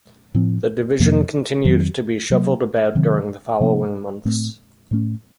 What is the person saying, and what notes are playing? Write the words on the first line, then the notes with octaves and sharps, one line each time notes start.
The division continued to be shuffled about during the following months.
A2 F3 C4
F2 C3 F3 A#3
F2 D#3 F#3 C4
C3 F#3 A#3
C3 D#3 F#3 C4
C3 F3 A#3 C#4
A2 A3 C4
A2 A3 C#4